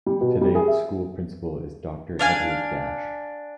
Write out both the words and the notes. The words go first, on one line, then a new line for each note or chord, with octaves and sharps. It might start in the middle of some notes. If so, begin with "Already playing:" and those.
Today the school Principal is Doctor Edward Gash.
G3
B2
G3
G#4
E5
D4 F5 G#5